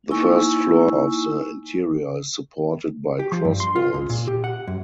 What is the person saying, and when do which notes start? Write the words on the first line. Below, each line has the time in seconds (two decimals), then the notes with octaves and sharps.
The first floor of the interior is supported by cross vaults.
0.11 A#3 D#4 E4 G#5 C#6 E6
3.19 G4
3.32 F3
3.45 G2
3.60 C6
3.75 F4
3.94 C#2
4.10 A#2
4.28 G4
4.44 F#5
4.67 F#2